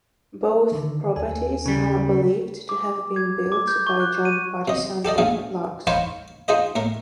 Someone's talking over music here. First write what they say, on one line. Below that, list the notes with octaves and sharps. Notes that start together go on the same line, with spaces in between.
Both properties are believed to have been built by John Paterson of Largs.
D3 D#3
D#2 A4 G#5
C#3 G3
D6
G#6
D6
G6
C#6
F#6
D#7
C3 D#5
G4 A4 D5 D#5
A#1 A3 G#4 F5
D#4 C5 C#5 F5 B5 C#6
D#4 F4 G#4 C5 D#5
A2 A3 A#4